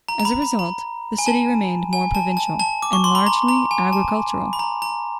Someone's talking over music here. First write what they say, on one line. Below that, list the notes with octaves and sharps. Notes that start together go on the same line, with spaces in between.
As a result, the city remained more provincial, and largely agricultural.
A#5
A#5
B5
B5
A#5
G#5
A5
G#5
A5
A5
A5
D6
C#6
C6
B5
A#5
A#5
G#5
A5
B5
A#5
A#5